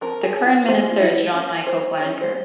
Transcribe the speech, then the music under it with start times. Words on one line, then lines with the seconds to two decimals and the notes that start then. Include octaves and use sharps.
The current minister is Jean-Michel Blanquer.
0.01 F3 C4 A#4
0.23 G#4
0.46 F4
0.67 E3 G3 C4 C5
0.91 F4
1.00 E4
1.34 F3 A#3 C#4 F4
1.67 C5
1.99 E3 G3 C#4 C#5
2.21 C5